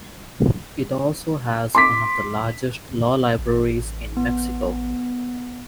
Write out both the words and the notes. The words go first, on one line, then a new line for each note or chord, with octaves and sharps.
It also has one of the largest law libraries in Mexico.
C6 D6 B6
A1
B3